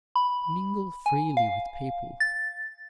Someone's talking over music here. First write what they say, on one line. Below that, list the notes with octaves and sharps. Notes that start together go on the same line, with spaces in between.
Mingle freely with people.
B5
G#5
F5
A6